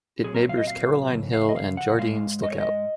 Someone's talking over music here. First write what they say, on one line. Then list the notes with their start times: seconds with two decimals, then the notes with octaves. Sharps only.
It neighbours Caroline Hill and Jardine's Lookout.
0.24 A#2 F#3 C4 G#4
0.35 A#4
0.49 F5
0.57 D#5
0.67 F5
1.13 F2 C#3
1.33 F5
1.49 D#5
1.56 F5
1.77 F#5
1.99 G#2 D#3 G#3 F5
2.43 D#5
2.51 C#5
2.60 D#5